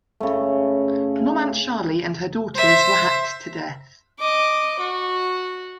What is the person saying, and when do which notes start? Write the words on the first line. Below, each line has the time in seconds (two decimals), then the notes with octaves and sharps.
Nomantshali and her daughters were hacked to death.
0.20 C#3 A3
2.55 C5 E5
4.19 D#5 D6
4.79 F#4